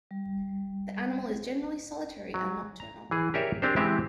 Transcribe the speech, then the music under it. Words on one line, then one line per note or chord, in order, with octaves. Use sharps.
The animal is generally solitary and nocturnal.
G3
F#3
A#5
E3 G#4
G4 G#4 A#4 C#5 D5 E5
C4 D4 G4 G#4 A#4 C5
E3 G#3 C4 G4 E5